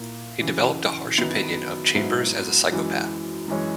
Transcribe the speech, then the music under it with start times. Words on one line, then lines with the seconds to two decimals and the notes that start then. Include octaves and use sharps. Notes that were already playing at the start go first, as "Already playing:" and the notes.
He developed a harsh opinion of Chambers as a psychopath.
Already playing: A#2 A#3 E4
0.41 F#2 C#3 E3
1.18 F#2 D#3 F#3 B3 E4
1.95 G#2 F#3 B3 E4
2.72 F#2 E3 G#3
3.48 F#2 E3 G#3 C#4